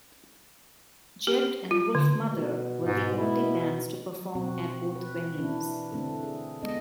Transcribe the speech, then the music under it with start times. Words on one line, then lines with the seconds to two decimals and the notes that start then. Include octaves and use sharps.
Jet and Wolfmother were the only bands to perform at both venues.
1.27 G4
1.71 F4
1.95 D3
2.32 B2
2.83 G#2
3.16 E4
4.35 B2 C4 F#4
4.96 B4
5.38 E3 D4 E4 A#4
5.92 D3 A3 C4 D4 A4
6.23 G#4
6.63 G#3 B3 D#5